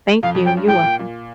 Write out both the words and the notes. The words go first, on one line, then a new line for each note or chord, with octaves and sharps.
Thank you. You're welcome.
F2 F5
F2
F#2 G5
G2
A2 G5
A#2
A#2